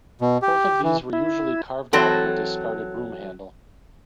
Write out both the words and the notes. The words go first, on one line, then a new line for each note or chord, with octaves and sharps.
Both of these were usually carved out of a discarded broom handle.
B2
G4
E3
E4
E3 F#3 C4 A4